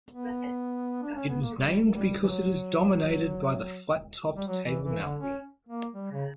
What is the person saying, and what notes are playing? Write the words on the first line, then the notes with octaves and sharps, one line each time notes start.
It was named because it is dominated by the flat-topped Table Mountain.
B3
D4
C#4
B3
A#3
G3
G3
E3
F#3
G3
F#3
E3
E3
D3
C#4
A#3
G3
C#3